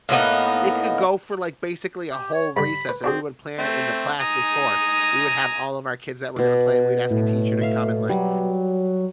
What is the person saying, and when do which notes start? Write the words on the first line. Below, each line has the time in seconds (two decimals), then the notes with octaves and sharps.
it could go for, like, basically a whole recess, and we would plan it in the class before. We would have all of our kids that were gonna play and we'd ask a teacher to come and, like,
0.09 A2 A#3 B3 D#4
2.11 G4
2.33 C#5
2.57 G2 D3 B5
2.89 B4
3.04 C4 D4 F#4 G#4
3.59 A3 C4
4.20 G#5 A#5 D#6
6.36 B2 D6
7.10 A2
7.61 E5 F5
8.09 F#3 G3